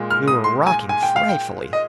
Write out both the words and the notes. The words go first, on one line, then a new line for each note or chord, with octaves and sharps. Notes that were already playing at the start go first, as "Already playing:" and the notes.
We were rocking frightfully.
Already playing: A#2 G#3
F6
D#6
C6
G#5
G#5
G5
F5
G5
D#5